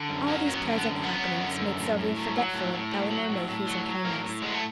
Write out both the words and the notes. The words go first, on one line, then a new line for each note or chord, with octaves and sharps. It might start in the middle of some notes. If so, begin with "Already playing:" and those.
All these pleasant happenings made Sylvia forgetful of Elinor Mayhew's unkindness.
Already playing: D3
F#2
F#3 A#3
F#2 A#3
B3
D3
B3
F#2
F#3 B3
F#2
D3
F#2
A2
A2
F#3
F#3
A2
A2
F#3
F#3
A2
A2
F#3
F#3
A2 A#3
A2
F#3 G#3
A3